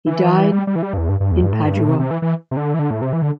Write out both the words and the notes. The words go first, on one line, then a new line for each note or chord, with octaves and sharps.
He died in Padua.
E3
G3
G3
E3
G3
G2
E2
G2
G2
E2
G2
A2
G2
A2
C3
C3
E3
E3
C3
D3
E3
D3
A2
C3
E3
D3